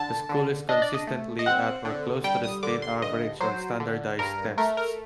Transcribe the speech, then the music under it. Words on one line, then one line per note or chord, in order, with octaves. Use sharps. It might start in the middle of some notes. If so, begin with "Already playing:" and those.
The school is consistently at or close to the state average on standardized tests.
Already playing: D3 A5
D3
D4 D#5
D5
D#5
A3
D#5
C4 F#5
D3
G3 G5
D#6
D3 D6
C6
G2 D#5
F#3 C5
D3
G2 A#4
A3 A#4
A#4